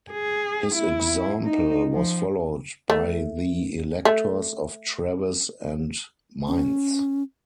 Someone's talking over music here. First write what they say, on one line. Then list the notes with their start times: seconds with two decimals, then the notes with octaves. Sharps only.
His example was followed by the electors of Treves and Mainz.
0.11 G#4
0.75 E4
1.44 D#4
1.93 F3
2.90 A3
4.05 A3
6.47 C#4